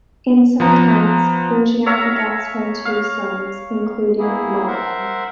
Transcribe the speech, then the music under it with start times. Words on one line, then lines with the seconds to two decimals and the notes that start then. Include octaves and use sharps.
In some accounts, Ogier begets her two sons, including Marlyn.
0.60 F3 B3 A#5
1.86 C#5 E5 F5 A#5
2.85 F5
4.19 A#3 B3 E4 G#4
4.67 A#4 C5 E5 F#5